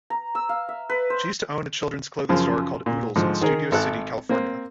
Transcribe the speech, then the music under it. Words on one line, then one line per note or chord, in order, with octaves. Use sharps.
She used to own a children's clothing store called "Oodles" in Studio City, California.
A#5
E6
F5
E5
B4
C5
F#2 C#3 F3
A#2
G#2 D3 F3 G#3
D#3 G#4 A#4
G#1 A4 F#6
A#3 C4